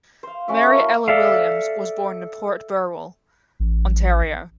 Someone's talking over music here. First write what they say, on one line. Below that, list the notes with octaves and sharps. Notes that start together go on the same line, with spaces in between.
Mary Ella Williams was born in Port Burwell, Ontario.
C5 F5
A3 C#4 F#4 E5
A4 A#4
A3 E4 C6
A4 D5 E5 F5
A1